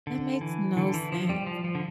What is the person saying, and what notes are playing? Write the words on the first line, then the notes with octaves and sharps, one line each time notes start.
That makes no sense.
D3
E3
D3
E3
F3
G3
F3
F3
D3